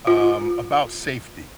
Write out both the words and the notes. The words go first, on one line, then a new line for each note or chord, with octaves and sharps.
um, about safety
F4